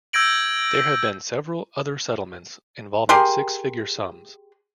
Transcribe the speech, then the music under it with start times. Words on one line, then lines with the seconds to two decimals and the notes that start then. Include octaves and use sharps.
There have been several other settlements involving six figure sums.
0.13 E6 G6 G#6 A#6 D7 F#7
3.09 G4 G#4 A#4 C6